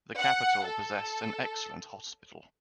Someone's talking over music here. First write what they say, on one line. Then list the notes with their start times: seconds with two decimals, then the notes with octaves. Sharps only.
The capital possessed an excellent hospital.
0.17 F#5
0.65 A4